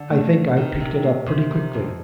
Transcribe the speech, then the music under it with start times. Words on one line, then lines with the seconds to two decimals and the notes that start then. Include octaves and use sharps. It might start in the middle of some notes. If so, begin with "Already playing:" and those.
'I think I picked it up pretty quickly.
Already playing: D3
0.10 A3
0.33 D4
0.57 D#3
0.80 C3
1.03 A#3
1.27 C3
1.51 D#3
1.74 F2